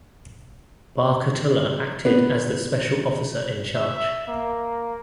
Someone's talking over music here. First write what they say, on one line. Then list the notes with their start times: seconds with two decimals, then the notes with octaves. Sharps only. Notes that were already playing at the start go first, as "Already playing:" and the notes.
Barkatullah acted as the Special Officer in charge.
2.05 B3
3.75 E5
4.28 A#3